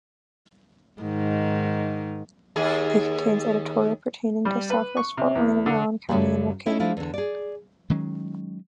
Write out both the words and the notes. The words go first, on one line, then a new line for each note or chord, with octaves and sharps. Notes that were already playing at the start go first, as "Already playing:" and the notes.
It contains editorial pertaining to Southwest Fort Wayne and Allen County and Roanoke, Indiana.
G#2 D#3
D#2 G#4
G3
B4
C#6
C3
E2
D3
F#2 C#3 F#3 G3
C#4 D#4 E4 A4
F3 D4 E4 F4
E2 D3
G#4 D5
D#3 F#3 G#3 C#4